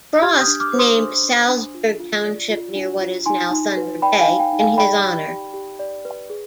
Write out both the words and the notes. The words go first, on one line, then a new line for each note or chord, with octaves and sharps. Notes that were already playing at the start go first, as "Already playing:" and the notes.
Frost named Salsberg Township near what is now Thunder Bay in his honour.
G4 F6 G#6
D#6 G6
D4
D6 F6
C5
C6 D#6
D4
D4
D4
F4
F4
D5
F4
D4
F4
D#4 G#5 C6
D#4
B4
D5 G5 B5
F5 G#5
D#4
G5
D#4
F5 G#5
D5 G5 B5
G4
G4
G4
D5
B4
G#4